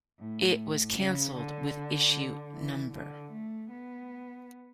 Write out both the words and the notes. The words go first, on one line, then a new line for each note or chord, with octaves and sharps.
It was cancelled with issue No.
A2
C#3
D3
E3
D3
A3
B3